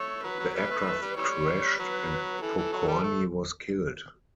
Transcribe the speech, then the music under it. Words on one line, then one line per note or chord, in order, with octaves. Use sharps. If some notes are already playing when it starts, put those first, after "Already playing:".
The aircraft crashed, and Pokorni was killed.
Already playing: A3 C#5
F#3 B4
F#3
G3 B4
A3
A3
G3
E3 G3 C#5
F#3 B4
E3 A4
E3
F#3
G3
A3